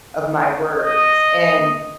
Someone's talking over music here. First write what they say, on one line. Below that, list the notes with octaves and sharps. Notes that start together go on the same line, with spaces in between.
of my words and
D#5